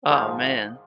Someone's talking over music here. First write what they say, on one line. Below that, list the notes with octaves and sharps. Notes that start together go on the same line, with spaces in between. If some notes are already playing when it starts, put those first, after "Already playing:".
Oh, man.
G#2 D#3 F3